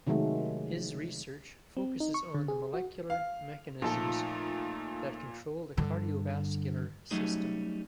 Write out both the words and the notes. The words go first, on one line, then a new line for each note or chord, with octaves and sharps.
His research focuses on the molecular mechanisms that control the cardiovascular system.
C3 D#3 F#3 G#3 A3
C4
D#4
C#6
D3
G#4
F#4
F5
A#2 F3 A3 D#4 A4
G2 D3
F#3 G3 A3 C#4 D#4 G#4